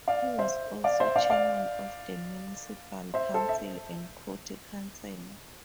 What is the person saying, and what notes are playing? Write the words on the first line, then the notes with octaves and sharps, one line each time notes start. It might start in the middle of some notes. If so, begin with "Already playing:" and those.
He was also chairman of the municipal council and county councilor.
D5 F5
C5 E5
D5 F5
C5 E5
D5 F5
D5 F5
C5 E5
A4 C5
E5